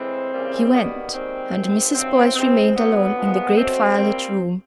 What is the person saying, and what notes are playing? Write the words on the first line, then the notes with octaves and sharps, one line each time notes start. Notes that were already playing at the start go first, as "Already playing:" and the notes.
He went, and Mrs. Boyce remained alone in the great fire-lit room.
Already playing: A2 E3 G#3 C4
C#3 E3 G3 A#3
F#2 D#3 G3 A#3 B3
G#2 D#3 G3 A#3 C4
F#2 D#3 G#3
G2 D#3 F#3 A3 C4
C3 E3 G#3 C4
F#2 D3 F#3 B3
A#2 F3 G#3
B2 F#3 A3 C4
A#2 G3 A#3 C4